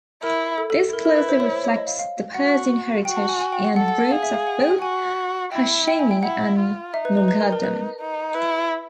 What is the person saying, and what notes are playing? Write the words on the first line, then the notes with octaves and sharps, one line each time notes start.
This closely reflects the Persian heritage and roots of both Hashemi and Moghaddam.
E4 A#4
A4
A4
E4 A#4
A#4
B4
C5
C#5
C5
C#5
D#5
F5
F5
F#4 F#5
F#4 G5
A5
G#5
G#5
G5
F#5
A4 F#5
F#5
F#5
G#4 F5
E5
F5
F#5
G5
G#5
F#4 G#5
E4 G5
G5
G#5
G5
E4 F#5
F4
D#4 E5
B4
B4
B4
A#4
A#4
B4
D#4
E4 B4